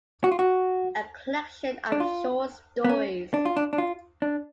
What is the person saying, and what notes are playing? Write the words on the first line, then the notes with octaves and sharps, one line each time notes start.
A collection of short stories.
F#4
F4
F#4
D4
F4
B3
C#4
D4
F4
D4
D4
F4
D4